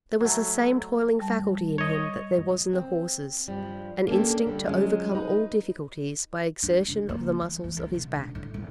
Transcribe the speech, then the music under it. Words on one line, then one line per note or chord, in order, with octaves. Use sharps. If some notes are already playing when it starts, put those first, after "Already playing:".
There was the same toiling faculty in him that there was in the horses--an instinct to overcome all difficulties by exertion of the muscles of his back.
F#3 A3 A#5
G3 A5
C#5 D#5
C4
G2 F3 G3
A#3 C#4 D4 F#4 G4 A4
D3 G3
F#3 G#3 C#4 F4
D#4 B4
D4
C#3
A#3
E3
E3
D2
B2
D3
A2
E1